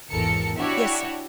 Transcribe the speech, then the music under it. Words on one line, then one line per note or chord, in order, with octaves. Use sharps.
"Yes, sir."
G#1 E2 A4 A#4 C#7
D4 E4 F#4 G4 C#5